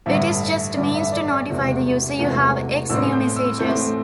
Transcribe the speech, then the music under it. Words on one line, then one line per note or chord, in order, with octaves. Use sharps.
It is just a means to notify the user "you have X new messages".
A1 G2 D3 E5
E5
A1 G2 D3 D5
E5
D5
D5
E1 E2 C3 A3
E1 E2 C3 A3
A1 A2 A3 C4 E6
G6
E6
A1 A2 A3 C4 G6